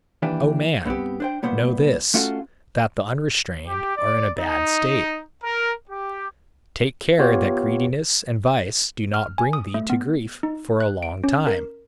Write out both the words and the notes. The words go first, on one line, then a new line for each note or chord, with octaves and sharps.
O man, know this, that the unrestrained are in a bad state; take care that greediness and vice do not bring thee to grief for a long time!
D#2 E3 D4 G4 B4
G2 B3 C4 G4
D4 C5 G5
C2 A#2 B3 C5
A3 C#4 F4 F#4 A4
G4
D5
D#4
A#4
G4
B3 F4 G4 C#5
F6
G#5
D#6
A3
B3
D#4
F#6
D7
C#4
A#4